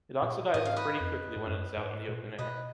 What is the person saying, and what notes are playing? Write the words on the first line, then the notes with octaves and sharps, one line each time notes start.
It oxidizes pretty quickly when it is out in the open air.
A#2
G#2 D#5
F5
B4 D#5
F2
G#2
F#2
G#2
A#2
B2 B4 D#5